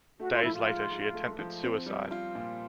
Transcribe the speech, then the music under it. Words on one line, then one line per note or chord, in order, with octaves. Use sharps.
Days later, she attempted suicide.
A3 F#4
F4
F3 E4
F4
G#2
G#2
A3
F3
C4
G3
F4
A#2